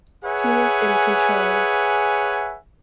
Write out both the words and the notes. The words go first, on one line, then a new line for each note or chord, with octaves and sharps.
He is in control.
G#4 B4 C#5 E5 F#5 G#5